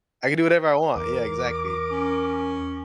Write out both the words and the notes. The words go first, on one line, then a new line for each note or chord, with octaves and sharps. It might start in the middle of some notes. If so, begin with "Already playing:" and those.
I can do whatever I want, yeah, exactly.
E2 A#4 D6
C#4